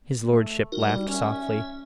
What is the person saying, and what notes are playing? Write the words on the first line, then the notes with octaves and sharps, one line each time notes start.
His lordship laughed softly.
A3
G3 D#4 F#4 A#4
C#4 E5